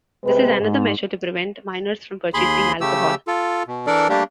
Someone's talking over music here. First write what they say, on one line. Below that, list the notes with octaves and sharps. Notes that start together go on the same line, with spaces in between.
This is another measure to prevent minors from purchasing alcohol.
C3 G#3 B4
G#2
D#2 G#4 B5 C6
C#3 A3 G4 E6
F4 A4
B2
E3 D4 A4 A#4 D5
G3 A3 A#3 D4 G4